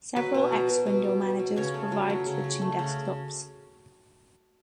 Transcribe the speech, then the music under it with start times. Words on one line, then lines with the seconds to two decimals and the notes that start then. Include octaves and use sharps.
Several X window managers provide switching desktops.
0.16 F#3 B4
0.35 B2
0.52 F#3
0.70 B2
0.86 B2
1.04 B2
1.21 B2
1.39 F#3
1.56 C#3 C#5
1.74 A3
1.92 F#3
2.10 F#3
2.26 C#3
2.44 F#3
2.62 A3
2.79 C#3